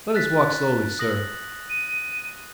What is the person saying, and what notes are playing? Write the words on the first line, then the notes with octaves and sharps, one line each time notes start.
Let us walk slowly, sir.
F#6 A6 B6
D#6 A#6 F#7
D#7